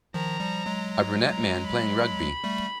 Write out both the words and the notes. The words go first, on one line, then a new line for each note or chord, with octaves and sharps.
A brunette man playing rugby.
D#3 F3 A#5
F3 G3
F#3 G#3
A#5
A#5
B5
G3 A3